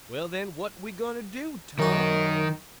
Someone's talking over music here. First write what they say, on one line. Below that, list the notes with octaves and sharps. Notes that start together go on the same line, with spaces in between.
"Well, then, what we going to do, Tom?"
F#2 D#3 D#4 F#4